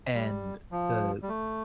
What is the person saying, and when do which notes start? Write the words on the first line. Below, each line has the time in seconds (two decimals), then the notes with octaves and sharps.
And the
0.15 G3
0.71 F3
1.23 G3
1.28 A3